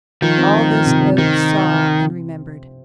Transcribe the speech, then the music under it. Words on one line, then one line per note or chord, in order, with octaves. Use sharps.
All this Oak saw and remembered.
D#3 F3
C4
F3
F3
C3
C4
D#3 C4